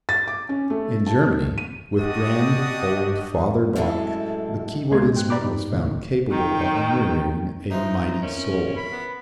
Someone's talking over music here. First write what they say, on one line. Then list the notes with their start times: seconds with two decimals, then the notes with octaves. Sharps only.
In Germany, with grand old Father Bach, the keyboard instrument was found capable of mirroring a mighty soul.
0.09 A6
0.28 D6
0.49 C#4
0.70 A3
1.07 A5
1.58 D#7
1.99 D4 F#4 G4 D5 D#5 D#6
3.76 F#2 A2 G#3 A4
4.91 C#2 G#3 A#3 C6 G#6
5.14 G#2 G5 F#6
5.30 G4 D5 A#5 B5 D6
5.42 G2 D#4
5.73 C#2 A2 D#3
6.30 D#3 G5
7.71 E3 F3 D#4 D#5
8.22 C#4 A#4
8.77 B5
8.92 B3